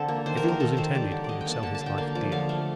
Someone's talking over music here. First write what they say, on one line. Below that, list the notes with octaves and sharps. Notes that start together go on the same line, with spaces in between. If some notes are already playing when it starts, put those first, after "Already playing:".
If ill was intended, he would sell his life dear.
Already playing: D3 C4 A4
A#3
D#3 C5
A#4
D#3
A#4
D#3 A4
D#3 C5
G3 D5
D3
D3 D5 D#5
G5
A#3
A5
D3 A5
A5
D3
G5
A#3 F5
F3 D5
D3 F5
A3